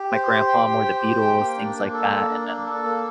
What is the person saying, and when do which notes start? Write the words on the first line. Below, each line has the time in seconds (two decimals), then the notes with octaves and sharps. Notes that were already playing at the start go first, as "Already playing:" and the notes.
my grandpa, more the Beatles things like that, and then
Already playing: G4
0.12 C5
0.30 G4
0.48 G5
0.66 G4
0.84 C5
1.02 G4
1.21 G5
1.39 A#3
1.57 D4
1.76 A#3
1.93 A4
2.12 A#3
2.30 D4
2.48 A#3
2.66 A4
2.84 A#3